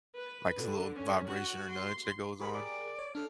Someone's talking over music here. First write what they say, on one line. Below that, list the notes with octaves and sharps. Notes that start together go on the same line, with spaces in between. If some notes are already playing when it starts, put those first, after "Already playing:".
like, it's a little vibration or nudge that goes on.
B4
D3
C#4
F#4
C6
G4 G#4 A#4 B5
D5
C#5
D4 A4 F6